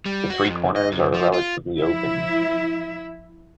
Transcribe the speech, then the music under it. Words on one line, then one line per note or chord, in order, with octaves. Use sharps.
The three corners are relatively open.
G3
F#4
F2
D#5
F#2
F3
F4
F3 E4 E5